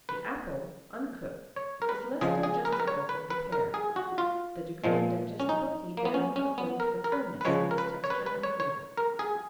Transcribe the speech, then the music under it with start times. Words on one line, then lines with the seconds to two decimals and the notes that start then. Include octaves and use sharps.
The apple, uncooked, is less digestible than the pear; the degree of digestibility varying according to the firmness of its texture and flavour.
0.09 B4
1.56 C#5
1.82 A#4
1.89 B4
2.21 C#3 F3 G#3 G#4
2.43 G#4
2.65 A#4
2.73 B4
2.80 A#4
2.88 C#5
3.09 B4
3.30 B4
3.52 A#4
3.74 G#4
3.96 F#4
4.18 F4
4.84 A#2 F3 G#3
5.40 C#4
5.49 D#4
5.97 A#3
6.05 B3
6.14 C#4
6.36 C#4
6.58 B3
6.80 A#4
7.04 A#4
7.12 B4
7.41 B4
7.45 C#3 F3 G#3 C#5
7.71 A#4
7.78 B4
8.04 C#5
8.10 B4
8.26 B4
8.43 C#5
8.60 C#5
8.97 A#4
9.19 G#4